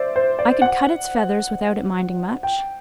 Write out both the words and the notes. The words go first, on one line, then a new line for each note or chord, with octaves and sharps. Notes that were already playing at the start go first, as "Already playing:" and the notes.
I could cut its feathers without it minding much.
Already playing: C5 D5 E5
C5
D5
F#5
G5